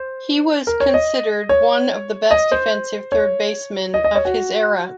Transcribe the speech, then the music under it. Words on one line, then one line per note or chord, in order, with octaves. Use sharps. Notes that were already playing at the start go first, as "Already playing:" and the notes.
He was considered one of the best defensive third basemen of his era.
Already playing: C5
A#4
C#5
D#5
C#5
D#5
C5
C#5
D#5
D#5
C#5
F#4